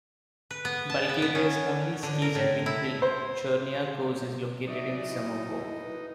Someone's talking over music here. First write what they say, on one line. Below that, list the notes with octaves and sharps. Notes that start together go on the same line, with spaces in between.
Bulgaria's only ski jumping hill Chernia kos is located in Samokov.
B4
B3
A5
B4
B3
C#4
D3
A#4
A2
E4
C5
F#3 D#4 D5 E5
E4 D#5
B4